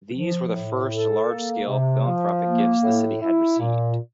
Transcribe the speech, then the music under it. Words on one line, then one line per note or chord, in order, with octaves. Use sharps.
These were the first large-scale philanthropic gifts the city had received.
F3
A2
A4
A#3
C3
F3
A#3
A2
E4
A#2